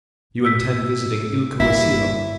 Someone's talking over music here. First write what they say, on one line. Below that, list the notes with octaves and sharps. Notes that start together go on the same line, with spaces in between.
"You intend visiting Il Colosseo."
E6 B6
G1 G2 A#3 E4